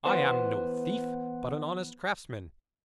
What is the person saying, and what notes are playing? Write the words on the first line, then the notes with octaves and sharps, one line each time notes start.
I am no thief, but an honest craftsman.
E2 B3 C5